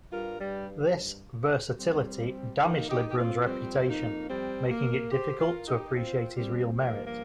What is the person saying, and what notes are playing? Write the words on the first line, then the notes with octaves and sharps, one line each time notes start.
This "versatility" damaged Lebrun's reputation, making it difficult to appreciate his real merit.
G2 G3 F4 A#4
G3
G3 C4
A#3 D#4
D#4 G4
G4
C4 F4
F2 F3 G3 C4
A#3 D#4
G3 C4
A#3
G4 C5
F4 A#4
D#4 G4
C4 F4
G3 C4
G2 F3 A#3
A#3